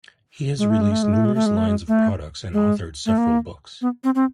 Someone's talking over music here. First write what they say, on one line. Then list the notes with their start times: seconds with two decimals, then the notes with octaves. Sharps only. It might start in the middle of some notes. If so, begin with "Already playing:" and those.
He has released numerous lines of products and authored several books.
0.58 G#3
0.70 A3
0.81 G#3
0.92 A3
1.03 G#3
1.13 A3
1.25 G#3
1.35 A3
1.46 G#3
1.57 A3
1.68 G#3
1.88 A3
2.53 G#3
3.06 A3
3.18 A#3
3.82 B3
4.04 C4
4.15 C4